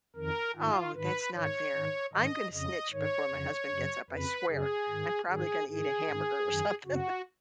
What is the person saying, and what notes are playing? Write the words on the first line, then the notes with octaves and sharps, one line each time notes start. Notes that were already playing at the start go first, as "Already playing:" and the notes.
Oh, that's not fair, I'm gonna snitch before my husband gets up, I swear, I'm probably gonna eat a hamburger or something.
F2 D#3 A#4
G#2 D#3 F4
G#2 D#3 B4
G#2 D#3 C#5
G#2 D#3
G#2 D#3 D#5
F2 C#3 D#5
G#2 D#3 C#5
F2 C#3
F#2 C#3
F2 C#3 B4
F#2 C#3 G#4
G#2 D#3
G#2 D#3 G#4
G#2 D#3 G#4
G#2
D#3
F#2 D#3
F#2 C#3 F#4